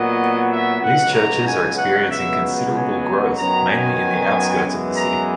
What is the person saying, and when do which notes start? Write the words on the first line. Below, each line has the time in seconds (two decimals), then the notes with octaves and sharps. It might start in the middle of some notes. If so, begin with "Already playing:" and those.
These churches are experiencing considerable growth, mainly in the outskirts of the city.
Already playing: A#2 F#3 B3 D#5
0.50 E5
0.82 C#2 B2 F#3 F#5
1.14 A#5
1.45 G#5
1.78 F#5
2.09 C#2 B2 F#3 B3 E5
2.73 G#5
3.37 F#2 D#3 F#3 B3 A#5
3.69 G#5
4.64 F#2 E3 G#3 B3
4.95 A#5